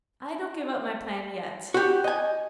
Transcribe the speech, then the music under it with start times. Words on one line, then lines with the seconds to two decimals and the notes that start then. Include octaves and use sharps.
'I don't give up my plan yet.
1.74 F#4 G4
2.04 D#5 G#5